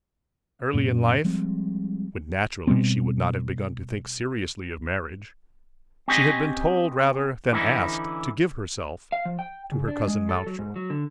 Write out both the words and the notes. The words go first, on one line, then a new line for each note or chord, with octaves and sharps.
Early in life, when naturally she would not have begun to think seriously of marriage, she had been told rather than asked to give herself to her cousin Mountjoy.
F#2 A#2 B3 C#4
F3 G3 G#3 C4
B2 G3 B3 C4
C4 C#4 G4 D#5 G#5
D3 E3 C#4 D#4 E4
F5
F3
G5
C#3
D4
G#3
A4
F#3
G#2
F#3
D3